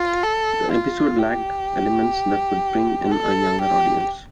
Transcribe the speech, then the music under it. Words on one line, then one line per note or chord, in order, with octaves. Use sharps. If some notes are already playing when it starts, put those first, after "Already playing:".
The episode lacked elements that would bring in a younger audience.
Already playing: F4
A4
F4
G4
A4
G4